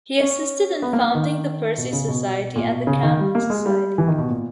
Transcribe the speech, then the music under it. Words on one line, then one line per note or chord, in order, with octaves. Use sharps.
He assisted in founding the Percy Society and the Camden Society.
C#4
B3
A#3
A#3
D#3
B2
C#3
B2
B2
A#2
B2
C#3
D#3
G3
A#3
G#3
G3
E3
D#3
B2
A#2